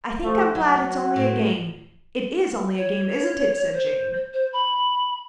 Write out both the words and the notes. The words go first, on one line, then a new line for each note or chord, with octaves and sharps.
'I think I'm glad it's only a game; it IS only a game, isn't it?' said Jane.
F3 A3
F#3 F#4
A2
C#5
C5
C5
B5